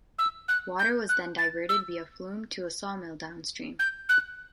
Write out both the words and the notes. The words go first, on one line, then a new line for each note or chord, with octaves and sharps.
Water was then diverted via flume to a sawmill downstream.
E6
F#6
G6
F#6
A6
E6
G6
F#6